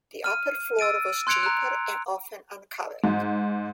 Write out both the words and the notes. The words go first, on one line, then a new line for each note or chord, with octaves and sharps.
The upper floor was cheaper and often uncovered.
F6 D#7
E6 A6 D7 D#7
C6 F#6 G#6 C#7 D7 F7
A#5 F#6
G#2